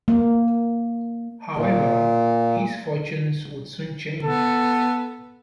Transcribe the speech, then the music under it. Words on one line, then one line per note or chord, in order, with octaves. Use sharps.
However, his fortunes would soon change.
A#3
A#2
B3 A4